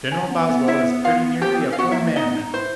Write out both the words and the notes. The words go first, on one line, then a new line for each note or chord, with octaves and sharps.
General Boswell is pretty nearly a poor man, now.
C#4
B3
B3
E4 E5
F4 F5
A#3 G4 G5
B3
C4
C#4 F5
B3 F#4 F#5
E4 E5
A#3
B3 D#4 D#5
D#4
E4 C5